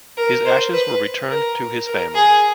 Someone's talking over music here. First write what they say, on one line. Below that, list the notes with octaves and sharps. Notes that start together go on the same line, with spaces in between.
His ashes were returned to his family.
A#4
C5
B4
A#4
A#4
G#4